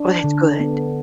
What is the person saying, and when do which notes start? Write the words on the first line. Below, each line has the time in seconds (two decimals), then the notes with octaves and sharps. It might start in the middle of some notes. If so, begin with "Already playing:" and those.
Oh, that's good.
Already playing: D4
0.24 D3
0.60 B3